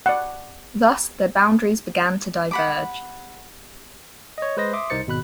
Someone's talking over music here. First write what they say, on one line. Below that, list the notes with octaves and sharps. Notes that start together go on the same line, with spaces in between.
Thus their boundaries began to diverge.
D5 F#5
F#5 B5 D6
C#5 D#5
G#3 B4 C5 D#5 A#6
E5 C6 D6 D#6
C2 D#4 A#4 C5 A6 C#7
G#1 B2 B5 F#6